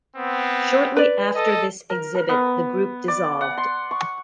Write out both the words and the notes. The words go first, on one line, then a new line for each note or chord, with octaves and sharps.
Shortly after this exhibit, the group dissolved.
B3 C4
B4 D5
A4 D#5
A#4
A#4
B3
D5
F#5
C6
C#6